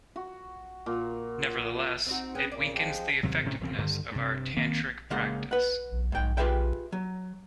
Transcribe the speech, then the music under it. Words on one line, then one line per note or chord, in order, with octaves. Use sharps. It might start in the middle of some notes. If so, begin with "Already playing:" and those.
Nevertheless, it weakens the effectiveness of our tantric practice.
F#4
A#2
C4 D#4 F#4
C#4 G#4 B4 G5
A#2 C#3 D5
F3 G#3 G4
D#2 C3 F#3
D2 A2 C3 C#4
E1 F2 C#3 C4
G2 D3 D#3
G2 C3
D#3 A#3 C4
C#3 G#3 A#3 F#5 C6
B4 F#5
G#2 G5
F4 G4 G#4 B4 E5 G5
F#3